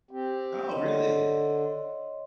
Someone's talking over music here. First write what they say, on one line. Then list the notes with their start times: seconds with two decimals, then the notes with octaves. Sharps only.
Oh, really?
0.11 C4 G4
0.70 D3 C#5 D#5 C6